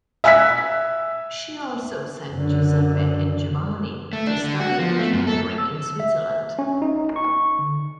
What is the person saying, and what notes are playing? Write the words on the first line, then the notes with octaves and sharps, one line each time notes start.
She also sent Giuseppe and Giovanni to study Engineering in Switzerland.
E5 G#5 E6 F#6 B6
F#2 D3
A3
D4
D3
F#4
F3
A3
F#2
A4
E6
E5
C#4
D#4
C#6
D3